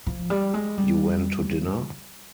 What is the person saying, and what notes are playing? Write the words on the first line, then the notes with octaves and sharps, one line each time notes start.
You went to dinner?
F3
G3
G#3
G3